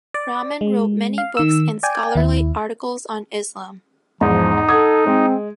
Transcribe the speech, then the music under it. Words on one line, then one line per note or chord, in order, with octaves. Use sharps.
Rahman wrote many books and scholarly articles on Islam.
D5
G#3
F5
D#3 E6
D5 G5 G#5
D#2 E4
E2 G#2 F3 G#3 D#4
A4 F#5 D#6 G#6
G#3 C4